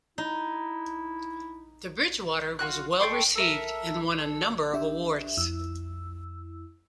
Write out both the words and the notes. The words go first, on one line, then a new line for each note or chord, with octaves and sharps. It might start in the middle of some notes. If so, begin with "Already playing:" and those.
The Bridgewater was well received and won a number of awards.
D#4 E4
F4 F#4 F#6
A4 G5 C6 C#6
A4 A#4 E5
A4
D4 G4 E5
F2 E4 E6